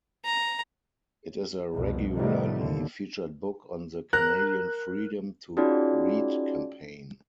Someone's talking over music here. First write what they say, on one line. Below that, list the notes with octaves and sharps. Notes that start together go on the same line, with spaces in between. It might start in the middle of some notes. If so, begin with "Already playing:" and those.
It is a regularly featured book on the Canadian Freedom to Read campaign.
A#5
C2 F2 B2
A2 C3 D#3 G3 A3 B3
D#2 D3
A#4 F#6
C#4 D#4 F4 F#4 G#4 D5